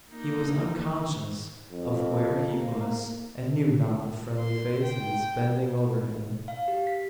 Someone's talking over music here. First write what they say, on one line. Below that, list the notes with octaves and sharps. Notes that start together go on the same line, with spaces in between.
He was unconscious of where he was, and knew not the friendly faces bending over him.
A#3 D#4
F2
A#3
C6
G5
F5
G4
B6